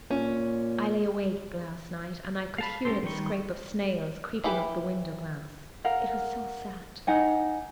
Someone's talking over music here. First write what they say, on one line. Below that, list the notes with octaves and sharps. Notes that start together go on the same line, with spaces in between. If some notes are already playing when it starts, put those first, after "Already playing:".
I lay awake last night, and I could hear the scrape of snails creeping up the window-glass; it was so sad!
A#2 C#4
F5 A5 B5
G#3 C#4 G4 A4 C5
D#3 G3 B4 G5 C#6
E3 G4 B4
A#4 F5 F#5
D#4 F#5 G#5